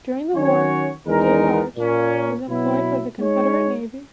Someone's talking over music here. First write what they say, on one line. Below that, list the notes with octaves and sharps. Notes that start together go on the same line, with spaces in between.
During the war, De Large was employed by the Confederate Navy.
D#3 F#3 C#4 F#4 C#5
E2 D#3 G#3 D#4 A#4
A#2 A#3 C#4
B2 F#3 B3 E4
G#3 D#4 G#4 C#5